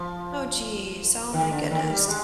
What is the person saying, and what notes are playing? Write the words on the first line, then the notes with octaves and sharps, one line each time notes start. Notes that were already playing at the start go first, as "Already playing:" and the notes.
Oh, jeez. Oh my goodness.
Already playing: F3
D#3
D3
D#3
G3
G#3